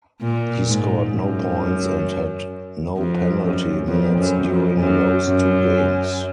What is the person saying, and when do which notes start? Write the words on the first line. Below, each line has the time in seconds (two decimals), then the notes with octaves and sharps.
He scored no points and had no penalty minutes during those two games.
0.21 A#2
0.67 G#2
1.13 F#2
2.96 F2
3.42 F#2
3.88 F2
4.18 F#2
4.49 F2
4.80 F#2
5.26 F#2